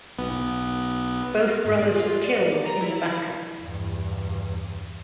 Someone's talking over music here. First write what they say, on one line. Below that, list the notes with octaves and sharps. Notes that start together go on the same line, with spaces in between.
Both brothers were killed in the battle.
B1 B3
G#2
D5
F4
D5
A#5
E4
E2 G2